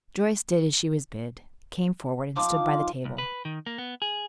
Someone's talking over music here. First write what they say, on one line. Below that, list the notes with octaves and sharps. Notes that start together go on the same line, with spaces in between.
Joyce did as she was bid, came forward, and stood by the table.
F3 D#4 F4 D6
C2
B4
D#3
A#3
B3
G#4